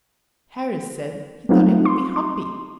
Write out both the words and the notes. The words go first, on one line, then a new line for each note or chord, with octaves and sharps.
Harris said he thought it would be humpy.
F#3 G3 A3 C4 D#4 F4
C6
C6